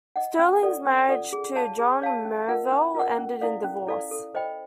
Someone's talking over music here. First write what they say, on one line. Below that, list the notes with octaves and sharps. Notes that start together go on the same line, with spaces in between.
Sterling's marriage to John Merivale ended in divorce.
D#5 F#5
C#4
F4 A4 D5 F#5
C#4
F4 A4 D5 F#5
G#4
C#5 F5 A5
G#4
C#5 F5 A5
C#4
F4 A#4 D#5 F#5
C#4
F4 A#4 D#5 F#5
C#4
E4 A4 D5 F5
C#4
E4 A4 D5 F5
A4
C5 D#5 G5 B5